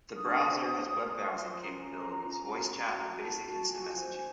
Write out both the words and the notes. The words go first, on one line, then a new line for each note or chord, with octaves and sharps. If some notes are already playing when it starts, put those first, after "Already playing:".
The browser has web browsing capabilities, voice chat, and basic instant messaging.
D4 D#6
C5
A4
C5
C#6
F4 C6
C#4 A#5
F4
C#4
F#4
F#4
F#4 A5
F#4
F4 G#5
C5